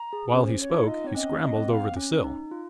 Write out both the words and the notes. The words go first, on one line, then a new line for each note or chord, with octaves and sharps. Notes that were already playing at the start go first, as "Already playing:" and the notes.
While he spoke, he scrambled over the sill.
Already playing: A#5
G#4
C#4 C5 C#5
C#5
F4
D#4
D#5
C4 C#5
C#4 D#5
F5
D#5
C4
F5
C#4
D#4
F4